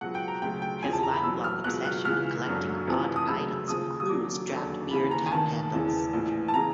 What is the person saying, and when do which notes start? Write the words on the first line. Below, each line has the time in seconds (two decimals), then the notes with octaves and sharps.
His lifelong obsession with collecting odd items includes draft beer tap handles.
0.01 C#2 B2 F#3 F#5
0.15 G5
0.28 A#5
0.42 D2 C#3 F#3 G5
0.62 G5
0.82 E1 E2 C#3 F3 G#5
0.93 A5
1.03 A#5
1.13 B5
1.23 E2 B2 F#3 E6
1.44 F6
1.64 C#2 B2 F#3 F#6
1.85 F#6
2.05 C#2 C#3 E3 F6
2.46 F#1 F#2 D3 F#3
2.87 F1 F2 C3 E3
3.16 D#6
3.27 D2 C#3 F#3 E6
3.68 D#2 C#3 F3 D#6
4.00 D#6
4.09 D#2 D3 F#3 D6
4.50 E1 D#2 D3 F#3
4.91 D#2 C#3 E3 B5
5.11 A#5
5.26 G#5
5.32 F1 D#2 D#3 A5
5.72 E1 E2 C#3 E3
6.13 A#1 A2 E3
6.48 A5
6.54 C#3 E3 A#5